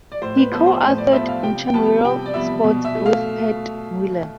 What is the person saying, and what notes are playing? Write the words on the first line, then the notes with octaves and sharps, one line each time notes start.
He co-authored "Intramural Sports" with Pat Mueller.
D5
A2 C5
B4
F3 B3 C5
C5
A2 C5
D5
F3 B3 E5
F5
C3 G5
G5
G3 B3 A5
C3 G5
D5
G3 B3 E5
B2
E5
A3
F5